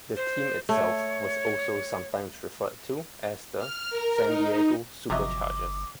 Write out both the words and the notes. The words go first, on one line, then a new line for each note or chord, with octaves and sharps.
The team itself was also sometimes referred to as the "San Diego Super Chargers".
C5
A3 C#5
F6
A#4
D#4
G1 C3 F3 F#3 D#5 E5 A#5 D6